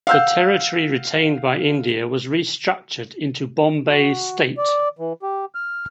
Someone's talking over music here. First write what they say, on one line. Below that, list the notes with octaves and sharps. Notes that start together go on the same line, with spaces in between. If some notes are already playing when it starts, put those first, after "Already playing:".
The territory retained by India was restructured into Bombay State.
F5 F#5 E6 F6 G6
F#4
D5
E3
G4
F6